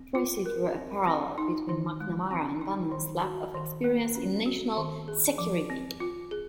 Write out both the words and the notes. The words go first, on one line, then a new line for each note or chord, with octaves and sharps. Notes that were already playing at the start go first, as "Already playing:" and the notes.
Tracy drew a parallel between McNamara and Bannon's lack of experience in national security.
Already playing: C4
F4
A#4
C4
C4
D#4
D#3
G#3
C4
D#4
D#3
F#4
D#3
A#3
C#4
F#4
D#3
G#4
F3
C4
F4
G#4